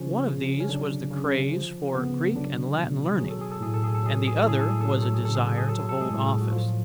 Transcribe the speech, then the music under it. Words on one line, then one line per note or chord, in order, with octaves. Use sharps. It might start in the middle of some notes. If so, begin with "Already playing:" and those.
One of these was the craze for Greek and Latin learning, and the other was a desire to hold office.
Already playing: C#3 F3 C#4
C#3
C#4
D3 F#3 D4
C#3 C#4
F3
C#3 B3
D3 F#3 D4
B2
F#3 G#4
A4
G#4
A4
A2 G#4
A4
G#4
A4
F#3 G#4
A4
G#4
A4
A2 G#4
A4
G#4
F#3 A4
G#4
A4
G#4
C#3 A4
G#4
A4
G#4
F#3 A4
G#4
A4
G#3 G#4
A2
F#4
F3 F4